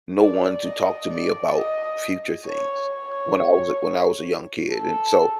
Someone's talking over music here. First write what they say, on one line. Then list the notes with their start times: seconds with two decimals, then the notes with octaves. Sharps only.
no one to talk to me about future things when I was a when I was a young kid, and so,
0.19 D5
0.65 D#5
1.09 D5
1.55 D#5
2.46 C#5
2.92 C#5
4.73 A4